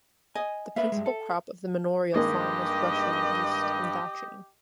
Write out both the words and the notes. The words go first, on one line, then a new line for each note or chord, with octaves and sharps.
The principal crop of the manorial farm was rushing used in thatching.
D#5 G#5
A#3 B4 E5
G2 G#3
A4
G2 D#3 G#3 A#3 G4 D#5